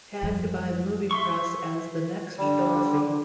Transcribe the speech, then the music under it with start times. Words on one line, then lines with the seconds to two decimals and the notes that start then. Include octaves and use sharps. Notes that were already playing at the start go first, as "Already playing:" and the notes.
Tagged by the movie press as the Next Dolphy.
0.23 F#2 F3 G3 G#3
1.11 E5 C6 C#6
2.38 D3 G3